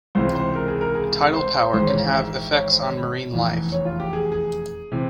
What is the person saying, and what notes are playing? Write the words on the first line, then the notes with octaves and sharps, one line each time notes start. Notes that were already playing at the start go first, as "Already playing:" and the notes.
Tidal power can have effects on marine life.
C#2 C3 E3 C5
C5
A#4
G#4
A#4
G#4
C5
C5
G#1 G#2 E3 C5
C#5
F5
E5
C#5
C5
C#5
F1 E2 E3
C#5
F4
G4
G#4
G#4
C3 E3